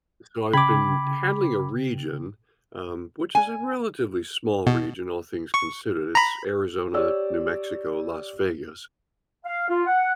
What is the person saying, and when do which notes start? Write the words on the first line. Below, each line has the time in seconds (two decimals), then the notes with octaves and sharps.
So, I've been handling a region, um, which is a relatively small region, all things considered, it's Arizona, New Mexico, Las Vegas.
0.54 C#3 G5 B5 D6 G#6
3.35 G#5
4.67 B2
5.54 C#6
6.15 A#5 B5
6.94 G4 C#5 D5 E6
9.45 F5
9.69 F4
9.86 F#5